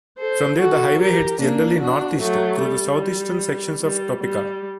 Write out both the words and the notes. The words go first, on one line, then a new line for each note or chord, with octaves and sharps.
From there, the highway heads generally northeast through the southeastern sections of Topeka.
A4 C5
F#4 A4
G4 A#4
A#3 D4
D4 F#4
F#3 A3
G3
G3
G3